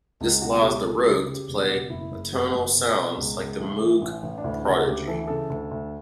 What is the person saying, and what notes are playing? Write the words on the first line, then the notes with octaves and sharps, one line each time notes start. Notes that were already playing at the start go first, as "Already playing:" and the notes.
This allows the Rogue to play atonal sounds like the Moog Prodigy.
C#2
B2 F#4
C#2 G4
C#2 A4
C#3 G4
C#3
G4
E1
F#4
C#3 G4
F#4
F#1 E4
F#1
F#1 F#4
F#1
B2
B2
C#2
C#2
A1
E3
A1
A1
D4
D2 E4
C#3 F#4
D2 G4
E3 A4
C#3 A4
D2
D2